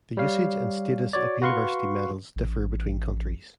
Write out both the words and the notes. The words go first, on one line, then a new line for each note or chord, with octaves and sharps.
The usage and status of university medals differ between countries.
G3 C#5 F5
F#4 C#5 D5
F#4 B4 F5 C6 C#6
A1